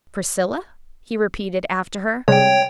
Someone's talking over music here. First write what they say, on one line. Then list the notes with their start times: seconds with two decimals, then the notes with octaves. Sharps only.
"Priscilla?" he repeated, after her.
2.28 C3 G3 G#3 C#5 G5